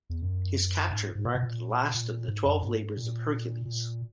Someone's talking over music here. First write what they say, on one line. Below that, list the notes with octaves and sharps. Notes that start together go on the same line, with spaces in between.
His capture marked the last of the twelve labors of Hercules.
E2
F#2
G#2
G#2
A#2
B2
A#2
A#2
G#2
F#2
G#2
A#2
A#2